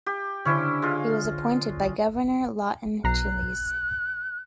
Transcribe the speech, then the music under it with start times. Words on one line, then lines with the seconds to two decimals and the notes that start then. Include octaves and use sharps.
He was appointed by Governor Lawton Chiles.
0.06 G4
0.45 D3 C#4 E4 C5
0.82 G#3 F4
3.04 B1 A#5 F#6 C7